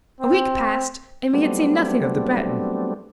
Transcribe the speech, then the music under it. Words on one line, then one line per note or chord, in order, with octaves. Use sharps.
A week passed, and we had seen nothing of the Breton.
C4
F#3 G3 A3 B3 C4 D4